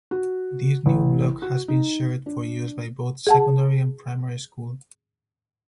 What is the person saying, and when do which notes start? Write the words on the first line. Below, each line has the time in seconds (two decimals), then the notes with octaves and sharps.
This new block has been shared for use by both secondary and primary school.
0.11 F#4
0.86 A1
1.42 F#4
1.68 D#4
2.26 D4
3.27 G#4 F#5 A5